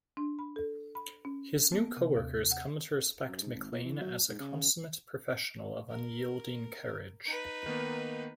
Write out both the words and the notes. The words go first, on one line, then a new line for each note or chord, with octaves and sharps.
His new coworkers come to respect McClain as a consummate professional of unyielding courage.
D4
B5
A4
B5
C#4
B3
C3
D#2
F#5
F#2
G#2
G#1
A#2
E3
F#3
G#2
C#3
A#4
D#4 B4
D#3 A#3 B3